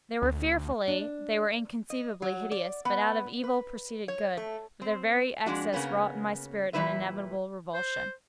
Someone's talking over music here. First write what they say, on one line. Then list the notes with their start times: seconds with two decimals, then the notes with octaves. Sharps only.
They were fearfully--they were inconceivably hideous; but out of Evil proceeded Good; for their very excess wrought in my spirit an inevitable revulsion.
0.22 D2
0.88 D4
1.90 D#5
2.22 F#3
2.51 D5
2.85 B3
3.44 B4
4.08 C#5
4.37 A3
4.82 C4
5.46 F2 G#3 D4 F#4
5.73 C#3 A#3 B3 C#4
6.73 A#2 E3 G3 E4 B4 E5
7.74 C5